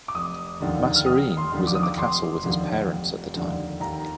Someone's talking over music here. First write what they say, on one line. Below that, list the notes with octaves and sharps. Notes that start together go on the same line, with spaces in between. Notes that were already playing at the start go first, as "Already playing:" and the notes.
Massereene was in the castle with his parents at the time.
D6
F1 D#6
D#2 D3 F3
F6
F1 D#6
C6
D#2 D3 F3
D6
D#6
D6
F1 C6
D#2 D3 F3
F1
D#2 D3 F3
D#2 A#5